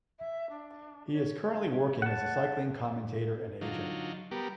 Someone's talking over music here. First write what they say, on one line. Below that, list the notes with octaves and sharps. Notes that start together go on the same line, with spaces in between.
He is currently working as a cycling commentator and agent.
E5
D4
C#5
F#5 A5
D3 F#3 D#4 F4
G3 B3 G4 A#4